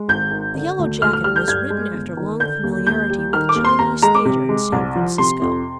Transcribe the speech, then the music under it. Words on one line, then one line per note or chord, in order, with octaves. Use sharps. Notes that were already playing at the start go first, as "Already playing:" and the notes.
The Yellow Jacket was written after long familiarity with the Chinese Theatre in San Francisco.
Already playing: G#3
G#1 G6
D#3
D3
D2
D2 F6
F6
G3 F6
G6
G2 G#6
G#3
G1
D#3
D3 G6
D#2
D#2 G6
G3
D#3 F6
D6
D#2
C6
D#2 A#5
G#3 A#5
D6
C3
G#3
C2
F3
C3 C6
F2